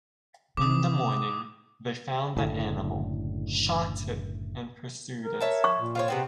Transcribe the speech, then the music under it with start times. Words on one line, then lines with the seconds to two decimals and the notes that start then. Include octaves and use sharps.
In the morning, they found the animal, shot it and pursued it.
0.57 C3 D6 D#6
2.37 F#1 A2 D3
5.24 A#4
5.40 C#5 E5 A5
5.64 C#6
5.79 A#2
5.95 F4 C5 C#5
6.08 C3 B3 C4